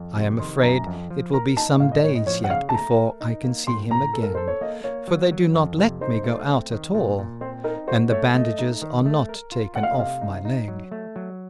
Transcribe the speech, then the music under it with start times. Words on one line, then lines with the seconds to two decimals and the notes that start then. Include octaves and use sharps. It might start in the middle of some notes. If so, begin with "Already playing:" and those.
I am afraid it will be some days yet before I can see him again, for they do not let me go out at all, and the bandages are not taken off my leg.
Already playing: F2
0.17 C3
0.39 D#3 C6
0.63 F#2 A#5
0.87 F2
1.10 F3
1.33 A#4 A#5
1.57 D#4 A5
1.80 A2 F5
1.92 D#5
2.03 A2 C#5
2.15 D#5
2.26 F3 C#5
2.44 F#5
2.50 C#3 F5
2.69 A5
2.74 A3 A#5
2.97 A#4
3.21 D#4
3.44 A#3
3.67 A2 C6
3.90 A2 A#5
4.14 A4
4.23 A#4
4.35 A4 C5
4.47 C#5
4.61 A#3 D#5
4.84 A#3 C#5
5.08 F#3
5.31 F#3
5.54 F2
5.78 C3
6.01 D#4 C5
6.24 A3
6.47 C4
6.72 D#3
6.94 A#2
7.18 A#2
7.41 C4 C5
7.64 D#4 A#4
7.88 F#4 C5
8.12 A3 C#5
8.34 A3 D#5
8.59 D#4
8.82 D#3
9.06 A3
9.29 A#4
9.52 F4
9.75 A3 F#5
9.83 F5
9.91 D#5
9.98 C3 F5
10.21 D#4
10.45 D#4
10.68 F#3
10.92 A3
11.16 F#3